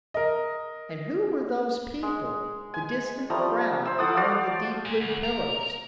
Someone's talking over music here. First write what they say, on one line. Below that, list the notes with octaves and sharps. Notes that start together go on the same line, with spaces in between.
And who were those people, the distant crowd beyond the deep blue pillars?
A#4 D#5
G#3
G#5
F3 G3 A3 A#5
C5 E6
A4 F#5 D6 D#6
F#4 C5 D5 F5
A#2
D2
A#4